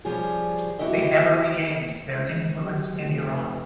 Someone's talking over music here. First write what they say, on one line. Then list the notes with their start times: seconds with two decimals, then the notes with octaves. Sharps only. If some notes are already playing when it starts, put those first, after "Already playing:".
They never regained their influence in Iran.
0.05 F3 G3 C#4 G#4
0.79 E4 F#4 G4 D#5 E5
2.14 C#2
2.60 F#3 G#3 G4
3.02 F1
3.33 B4